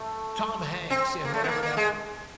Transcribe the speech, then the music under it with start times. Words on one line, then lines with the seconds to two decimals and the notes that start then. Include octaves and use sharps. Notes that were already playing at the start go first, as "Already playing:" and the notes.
Tom Hanks and whatever that
Already playing: A3
0.90 C4
1.25 A#3
1.34 A3
1.44 B3
1.49 A#3
1.63 A#3
1.77 G#3